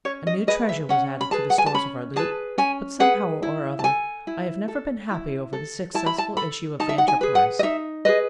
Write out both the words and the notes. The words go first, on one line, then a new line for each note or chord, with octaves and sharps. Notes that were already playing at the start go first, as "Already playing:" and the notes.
A new treasure was added to the stores of our loot, but somehow or other I have never been happy over the successful issue of the enterprise.
C#4 C#5
D#5
G#4 B4 D#5
E5
C#4 F#5
B5
G#4 B4 A5
F#5
G#5
A5
C#4 B5
G#4 B4 A5
C#4 G#5
G#4 B4 F#5
E4
A5
A4 G#5
E4
A4
E4
A4
E4 A5
B5
A5
A4 B5
D#4 A5
E5
F#5
G#5
G#4 B4
F#5
D#5
D#4 E5
G#4 B4 D#5